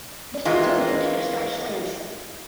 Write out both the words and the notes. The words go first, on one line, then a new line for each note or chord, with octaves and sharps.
The fields were named after Scottish clans.
D#3 E3 G#3 A#3 F4